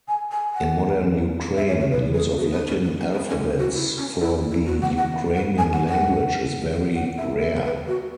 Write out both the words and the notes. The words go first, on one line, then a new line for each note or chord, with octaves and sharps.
In modern Ukraine, use of Latin alphabets for the Ukrainian language is very rare.
G#5
G#5
F#5
E5
C#5
C#5
B4
G#4
F#4
B3
C#4
B3
C#4
B3
C#4
F#4
E4
C#4
E4
E4
F#4
F#5
F#5
F#5
G#5
F#5
F#5
F#5
E5
E5
B4
F#4